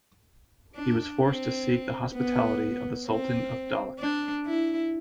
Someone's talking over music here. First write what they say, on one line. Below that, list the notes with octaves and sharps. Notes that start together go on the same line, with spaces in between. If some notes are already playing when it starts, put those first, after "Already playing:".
He was forced to seek the hospitality of the Sultan of Dahlak.
D4
C4
B3
C4
D4
E4